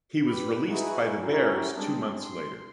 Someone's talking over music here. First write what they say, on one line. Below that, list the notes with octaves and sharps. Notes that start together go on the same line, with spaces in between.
He was released by the Bears two months later.
G4 B4
D#4 E4 F#4 G#4 B4 G#5
C#4 E4 F#4 G4 A#4
G3 G#3 C4 D4 G#4
C6